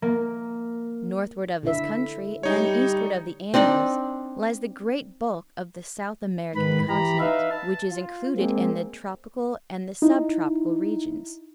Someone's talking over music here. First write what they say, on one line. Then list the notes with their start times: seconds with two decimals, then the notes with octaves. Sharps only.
Northward of this country, and eastward of the Andes, lies the great bulk of the South American continent, which is included in the tropical and the subtropical regions.
0.02 A#3
1.63 D3 E4 E5
2.43 G3 D#4 C#5
3.54 C4 D4 D#4 D5
6.55 G#2 D#3 B4 B5
6.88 E3 G4 A#5 B5
7.20 D#4 B4 E5 F5
7.51 A5
7.91 F4
8.37 G#3 A#3 C4
10.02 D#4 E4